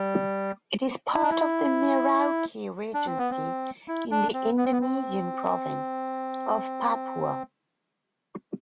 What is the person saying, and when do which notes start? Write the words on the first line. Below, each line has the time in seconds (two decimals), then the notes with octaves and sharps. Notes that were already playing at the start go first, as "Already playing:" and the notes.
It is part of the Merauke Regency, in the Indonesian province of Papua.
Already playing: G3
1.15 E4
1.23 D4
1.31 E4
2.94 D4
3.06 C4
3.18 B3
3.31 C4
3.88 E4
4.11 D4
4.34 C4
4.57 B3
4.65 C4
4.72 B3
4.81 C4